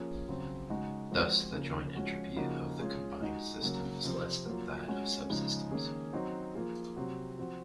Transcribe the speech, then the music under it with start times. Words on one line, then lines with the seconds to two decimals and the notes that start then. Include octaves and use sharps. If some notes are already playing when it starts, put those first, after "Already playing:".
Thus the joint entropy of the combined system is less than that of subsystems.
Already playing: F3 A#3 C#4 F4 G#4
0.28 C#3 F#3 C4
0.70 C#3 G#3 D#4 F#4
1.11 F3 G#3 C4 F#4
1.53 C#3 F3 A#3
1.95 F3 G#3 C#4 F#4
2.36 C#3 F3 A#3 D#4 F#4
2.79 G#3 C#4 F4 G#4
3.21 G#3 D#4 F#4
3.62 C#3 F#3 A#3
4.05 C3 F3 C4
4.46 F#3 A#3 F4
4.88 G#3 C#4 F#4
5.30 C#3 F3 G#3 D#4
5.71 D#3 A#3 C#4 G#4
6.13 F#3 C4 D#4 F#4
6.55 F3 A#3 F4 G#4
6.96 C3 F#3 C4 F#4
7.39 F3 C4 F#4